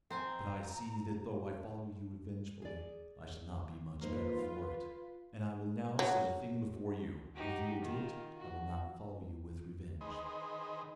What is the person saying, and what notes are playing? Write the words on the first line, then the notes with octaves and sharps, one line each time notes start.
But I see that though I follow you revengefully, I shall not be much better for it, and I will now set a thing before you, and if you will do it, I will not follow you with revenge.
C4 C5 G#5 A#5
G#4 D5
A#3 D#4 F4 B4 C5
F5
F#3
D#4 F#4 G4
D#3 F4
F#4
D#3 G#4 B4 C5 D#5